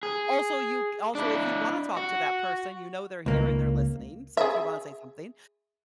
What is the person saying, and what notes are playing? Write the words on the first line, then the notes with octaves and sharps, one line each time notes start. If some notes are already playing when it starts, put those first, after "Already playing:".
also, you c also, if you wanna talk to that person, you know they're here and they're listening, so if you wanna say something,
G#4
D4 E4
F#4
C#2 A#3
G#4 E5